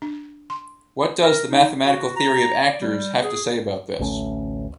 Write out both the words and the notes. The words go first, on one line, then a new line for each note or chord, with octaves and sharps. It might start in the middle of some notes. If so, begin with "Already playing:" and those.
What does the mathematical theory of Actors have to say about this?
D4
C6
A#4
D#4
F#4
A#5
D5
G3
G#4
A1 D2 A3 C#4